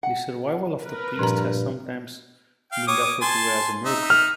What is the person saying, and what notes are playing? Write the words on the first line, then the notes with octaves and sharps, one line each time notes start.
The survival of the priests has sometimes been referred to as a miracle.
F#5
A#4 B4
G2 A#2 F3 A#5
F5 G5
C#5 D6 D#6
G#5 A5 C6
D#4 E5
F6